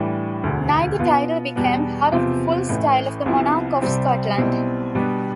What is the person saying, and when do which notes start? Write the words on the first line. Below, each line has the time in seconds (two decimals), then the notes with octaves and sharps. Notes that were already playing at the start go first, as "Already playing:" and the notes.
Neither title became part of the full style of the monarch of Scotland.
Already playing: A2 E3 G3 D4
0.43 E1 D2 D3
0.99 B2 B3 F4
1.56 E2 B2 G3 B3
2.12 E2 C3 F3 C4 F4
2.68 A1 A2 E3 A3
3.26 C2 C3 F3 B3 E4
3.82 C2 C3 G3 C4
4.37 B1 B2 G3 C4 E4
4.95 B2 G3 B3 D4